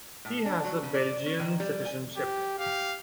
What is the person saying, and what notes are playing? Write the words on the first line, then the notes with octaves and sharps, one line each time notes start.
He has a Belgian citizenship.
A2
D4
F#3
C#3
D5
C#4
D#3
G3
G#5
G4
G4 F5